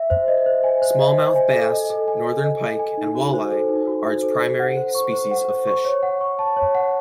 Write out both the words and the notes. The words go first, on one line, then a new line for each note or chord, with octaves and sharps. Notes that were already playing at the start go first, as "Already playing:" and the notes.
Smallmouth bass, northern pike and walleye are its primary species of fish.
Already playing: E5
C5
D#5
C5
G#5
C5
D#5
C5
G#5
A4
D#5
A4
G#5
A4
D#5
A4
G#5
D#4
F#4
C5
A4
D#4
F#4
C5
A4
C5
F#5
C5
C#6
C5
F#5
C5
C#6
C#5
F#5
C#6
A5
C#5
F#5